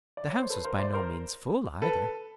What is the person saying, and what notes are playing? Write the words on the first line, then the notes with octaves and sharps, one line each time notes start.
The house was by no means full, either.
D5
C#5
C5
A4 B4
A#4 C5
C5 D5
A#4 C5
A4 B4